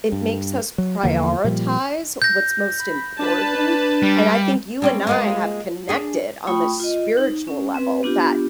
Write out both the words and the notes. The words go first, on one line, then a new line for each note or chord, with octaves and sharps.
It makes us prioritize what's most important, and I think you and I have connected on the spiritual level that,
G2
F#3
E2 D3 F3 A#3
A#2 F3 G3
G6 A#6
B5
D4 B4 A5
G3
G3 C4 C#4
G#3 A#3 F4
D4 G#4
A3 F4 G5 B5 C#6 D#6
F4 D#5
D#4
C#4
C4 B4
B3 D4 F4 G4